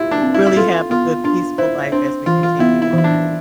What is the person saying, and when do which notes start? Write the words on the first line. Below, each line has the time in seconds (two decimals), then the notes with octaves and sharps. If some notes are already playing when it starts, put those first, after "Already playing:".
really have a good peaceful life as we continue on
Already playing: E4 F4 G4
0.11 D4
0.22 C4
0.34 E4
0.47 E4
0.56 F4 A4
0.90 B3 F4
1.24 D4 F4
1.58 E4 C5
1.92 C4 D4
2.26 E3 F4
2.43 F4
2.59 B3 E4
2.82 E4
2.93 E3 E4
3.04 D4